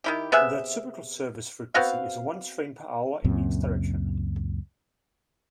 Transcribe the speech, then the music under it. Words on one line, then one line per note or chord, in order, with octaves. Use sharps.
The typical service frequency is one train per hour in each direction.
D#3 E4 G4
C3 B3 G#4 E5
B3 C4 F#4 F5
C#2 F#2 A#2 C4